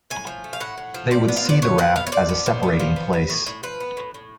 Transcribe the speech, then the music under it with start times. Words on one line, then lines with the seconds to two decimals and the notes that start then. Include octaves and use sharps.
They would see the Raft as a separating place.
0.10 A2 G#5
0.27 F3
0.44 A3
0.53 F5
0.60 A2 F#5
0.78 A2
0.94 F3
1.11 F3 D5
1.28 B3
1.37 F5
1.45 F3 D5
1.62 B3 C#5
1.78 F3 F#5
1.96 B3 F5
2.07 C#5
2.12 F3 D5
2.29 B3
2.46 F3
2.63 B3
2.79 F3
2.96 B3
3.13 B3
3.29 A2
3.47 A2
3.63 F3 B4
3.80 B3
3.97 A2
4.14 A2